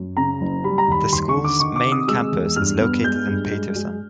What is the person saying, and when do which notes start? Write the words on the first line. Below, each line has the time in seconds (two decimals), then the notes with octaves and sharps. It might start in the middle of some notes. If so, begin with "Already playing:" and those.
The school's main campus is located in Paterson.
Already playing: F#2
0.17 C#3 A#5
0.41 F#1
0.64 G3 B5
0.78 A#5
0.88 D#2 B5
1.13 D#2 C6
1.29 C#6
1.37 D3
1.44 D6
1.60 D#3 C#6
1.76 D6
1.85 C3
1.92 D#6
2.08 G#3 E6
2.32 E2
2.56 G2 F6
2.80 B3
3.04 G#3 G6
3.28 G2
3.52 G#3
3.76 G#3